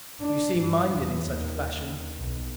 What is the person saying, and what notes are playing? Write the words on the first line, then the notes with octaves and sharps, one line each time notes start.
You seem minded in such a fashion.
D4
G2
E2
D#2
D#2
B1